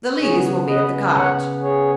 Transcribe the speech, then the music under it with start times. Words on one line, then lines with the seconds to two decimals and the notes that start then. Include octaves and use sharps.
The Lees will be at the cottage.
0.21 C#3 B3 G#4 C#5
0.68 B4 D#5
1.15 C#5 F#5
1.62 G#4 C#5